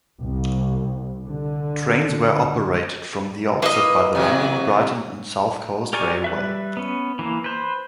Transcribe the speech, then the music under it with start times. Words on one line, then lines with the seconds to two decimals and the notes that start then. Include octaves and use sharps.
Trains were operated from the outset by the London, Brighton and South Coast Railway.
0.19 C2
1.26 D3
3.62 A#3 E4 B4 D#5 E5
4.15 C3 E3 F#3
5.93 G4 A#4 D5 G#5 C#6
6.24 G3 B4 E5
6.77 B3 C#4
7.19 E3 A#3
7.44 B4 C5